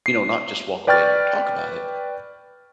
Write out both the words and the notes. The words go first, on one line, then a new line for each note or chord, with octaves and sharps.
You know, not just walk away and never talk about it,
C7
B4 D5 G5 C#6 F6 A6